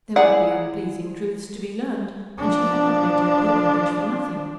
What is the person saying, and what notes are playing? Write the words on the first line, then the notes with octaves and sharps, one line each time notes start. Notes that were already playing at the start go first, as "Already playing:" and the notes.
There would be unpleasing truths to be learned, and she had not made her pilgrimage for nothing.
E4 G#4 D5 F#5 A#5
F3 D4